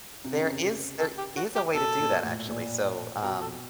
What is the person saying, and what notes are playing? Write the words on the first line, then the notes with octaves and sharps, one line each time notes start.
There is there is a way to do that, actually, so, um,
C3
C#3
C3
A4
G4
F#4
G4
B2 A4
A#2
A2
A#2
B2 A#4
A4